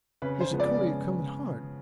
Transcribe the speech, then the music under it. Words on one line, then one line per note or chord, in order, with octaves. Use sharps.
There's a courier coming--hard!
C#3 B4
C5
F3 G#3 B3
D5
C#3